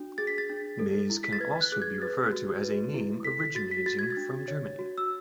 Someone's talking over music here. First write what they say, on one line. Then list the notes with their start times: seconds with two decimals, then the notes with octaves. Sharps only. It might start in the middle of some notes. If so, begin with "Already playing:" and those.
Meis can also be referred to as a name originating from Germany.
Already playing: D4 F#4
0.18 G#4 A6
0.27 B6
0.38 A6
0.49 D4
0.80 A4
1.10 E4
1.23 B6
1.33 A6
1.40 B4 G#6
1.61 F#6
1.72 G#4 F#6
1.82 G#6
2.02 B4 A6
2.32 F#4
2.63 B4
2.94 E4
3.25 A4 B6
3.40 B6
3.55 F#4 A6
3.71 B6
3.86 F#4 A6
3.99 G#6
4.10 A6
4.17 D4
4.48 C#5
4.79 F#4
4.98 E6